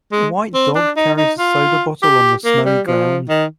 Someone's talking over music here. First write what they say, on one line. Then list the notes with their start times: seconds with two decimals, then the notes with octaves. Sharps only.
A white dog carries a soda bottle on the snowy ground.
0.12 G#3
0.54 C4
0.75 D4
0.97 D#4
1.17 D#4
1.38 F4
2.03 G4
2.45 A#3
2.66 G3
2.87 F3
3.29 D#3